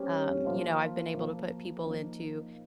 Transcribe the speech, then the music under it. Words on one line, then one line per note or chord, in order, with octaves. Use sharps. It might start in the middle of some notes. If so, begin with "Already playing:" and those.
um, you know, "I've been able to put people into,"
Already playing: G3 C#4 G4 C5
F3 A#3 F4
F3 A#3 F4
F3 A#3 D#4